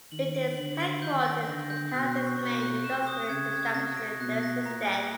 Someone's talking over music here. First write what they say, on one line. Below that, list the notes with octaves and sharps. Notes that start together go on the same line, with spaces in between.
It is headquartered and has its main industrial establishment there since then.
D#3 F#7
D7
D3 F#7
D7
D#3 G6
A#6
D3 A#6
G6
B2 F#6
C#6
B2 C#6
F#6
C3 E7
D#6
C#3 G#6
G#6
C3 A#6
D7
B2 F#6
A#6
A#2 A#5
A#5